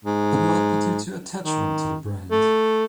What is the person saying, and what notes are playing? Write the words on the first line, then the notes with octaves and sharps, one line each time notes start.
It might be due to attachment to the brand.
G#2
D#3
A3